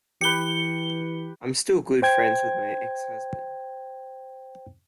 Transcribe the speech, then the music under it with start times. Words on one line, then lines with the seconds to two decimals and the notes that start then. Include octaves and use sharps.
I'm still good friends with my ex-husband.
0.21 E3 G4 B4 C#7 G7
2.02 C5 G5 G#6